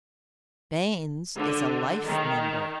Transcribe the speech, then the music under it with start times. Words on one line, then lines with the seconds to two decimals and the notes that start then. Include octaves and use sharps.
Baines is a life member.
1.36 D3
2.07 D#3